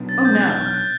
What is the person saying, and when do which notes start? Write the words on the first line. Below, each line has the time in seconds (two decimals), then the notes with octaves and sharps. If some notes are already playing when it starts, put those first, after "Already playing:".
"Oh no."
Already playing: B2 F#3 B3 D4
0.09 A6
0.25 G6
0.42 F#6
0.50 F6
0.66 F6
0.74 F#6